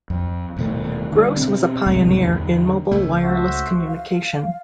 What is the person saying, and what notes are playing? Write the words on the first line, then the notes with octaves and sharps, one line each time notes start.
Gross was a pioneer in mobile wireless communication.
F2
D#1 B2 A3
D3 G3
B2 C4
C#2 A2 C3 G3
E2 D3
C#2 C#3 A3
F#4 C5 E5
F5